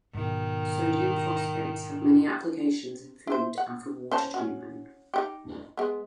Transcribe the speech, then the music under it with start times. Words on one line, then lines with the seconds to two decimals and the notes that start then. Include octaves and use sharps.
Sodium phosphates have many applications in food and for water treatment.
0.15 G#2 B2 D#3
3.27 E4 C5
3.58 F#5
4.11 C#4 C5 A5
4.34 C#4 F#4
5.14 D#4 E4 G4
5.77 G#3 B3